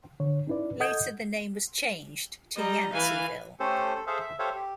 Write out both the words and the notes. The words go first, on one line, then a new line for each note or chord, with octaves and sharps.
Later, the name was changed to Yanceyville.
D3 C#5
C#4 D#4 E4 B4 D5
A4 D#5 F#5 D#6 G6 G#6
G3 D#5 A#5
E3 F5 G#5 B5
A3 C#4 G4 A4 C5
A4
G#4 A4 C5 E5 F5
E5
G4 A4 C5 C#5 E5 F5
G4